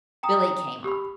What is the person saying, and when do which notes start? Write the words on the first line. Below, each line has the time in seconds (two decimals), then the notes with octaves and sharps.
Billie came up.
0.23 G5 A#5 D#6
0.84 G4 B5